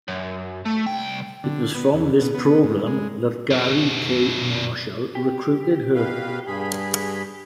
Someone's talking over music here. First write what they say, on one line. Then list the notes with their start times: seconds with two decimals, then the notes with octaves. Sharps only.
It was from this program that Garry K. Marshall recruited her.
0.08 F#2
0.66 A3
0.86 C2 G5
1.44 D3
1.74 B3
1.93 E2
2.21 B2
2.34 B3
2.63 G#2
2.87 G#3
3.51 F#2 B2
5.15 G4
5.95 B2 B4 F5
6.47 G2 G#4 B5